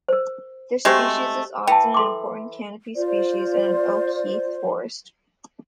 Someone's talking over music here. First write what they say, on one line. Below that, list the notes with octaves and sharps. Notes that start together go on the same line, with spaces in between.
This species is often an important canopy species in an oak-heath forest.
A#4 C5
G#3 A3 C4 F#4 G4 C5
E3 G5 A5
A4 C6 D6
F4 C5 D5